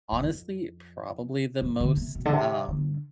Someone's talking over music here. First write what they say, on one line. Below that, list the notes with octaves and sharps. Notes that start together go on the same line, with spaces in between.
honestly, probably the most, um,
G2
F2
G2
D3
C3
B2
D3
C3
D3